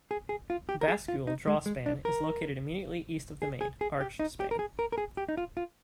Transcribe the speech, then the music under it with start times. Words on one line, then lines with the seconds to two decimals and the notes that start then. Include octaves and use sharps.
The bascule draw span is located immediately east of the main, arched span.
0.11 G#4
0.29 G#4
0.50 F4
0.69 G4
0.81 A#4
0.88 G#4
1.08 F4
1.27 D#4
1.47 G#3
1.66 G#3
1.86 D4
2.05 A#4
3.42 G#4
3.61 G#4
3.81 G#4
4.01 G4
4.19 D#4
4.40 G4
4.51 A#4
4.59 G#4
4.79 A#4
4.92 A#4
4.98 G#4
5.17 G4
5.29 D#4
5.37 F4
5.57 F4